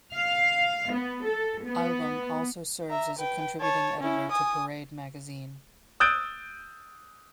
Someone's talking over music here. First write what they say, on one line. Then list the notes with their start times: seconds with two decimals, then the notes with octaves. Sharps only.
Albom also serves as a contributing editor to "Parade" magazine.
0.14 F5
0.94 B3
1.27 A4
1.66 B3
2.89 E5 A#5
3.19 B4 G5
3.60 C#5 A5
4.01 C#4 E4
4.31 G#5 D#6
6.00 D#6 E6 F#6 G6 A6 D7